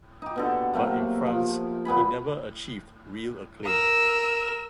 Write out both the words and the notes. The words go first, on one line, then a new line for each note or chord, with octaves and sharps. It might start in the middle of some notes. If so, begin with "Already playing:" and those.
But in France, he never achieved real acclaim.
D#4 G4
B2 D3 A4
C3 F#3 A3 A#3
F3
A#2 B3 G#5 B5
A#4 E6